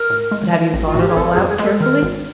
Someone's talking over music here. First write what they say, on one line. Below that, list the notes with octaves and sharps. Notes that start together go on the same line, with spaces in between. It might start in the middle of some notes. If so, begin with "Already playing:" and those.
But have you thought it all out carefully?
Already playing: A#4
A2
G#3
F3
A1
F4
A2 F#4
G4
G#4
G#1 A4
G#4
F#2
G#4
G#3
A4
D#3 A#4
G#1